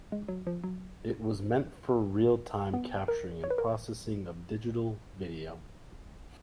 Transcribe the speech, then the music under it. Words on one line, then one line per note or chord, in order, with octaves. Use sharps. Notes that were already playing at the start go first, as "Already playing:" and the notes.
It was meant for real time capturing and processing of digital video.
G#3
F#3
F3
F#3
B3
A#4
C#5
B4
A#4